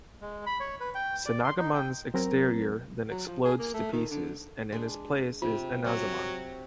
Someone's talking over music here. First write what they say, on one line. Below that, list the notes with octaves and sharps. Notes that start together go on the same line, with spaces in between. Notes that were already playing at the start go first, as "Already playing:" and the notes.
Sanagiman's exterior then explodes to pieces, and in his place is Inazuman.
G#3
B5
C#5
B4
G5
D5
C6
D#4
G5
F#3 C4 A#4 A#5
F#3
F3
G#4
A#3
A3
D#3
D3
G#3 D4
C3 F4
C3 F#3